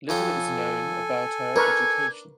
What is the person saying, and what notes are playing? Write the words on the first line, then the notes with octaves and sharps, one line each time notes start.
Little is known about her education.
F2 C#4 A4 G5 G#5
D4 A#4 B4 C#6 G#6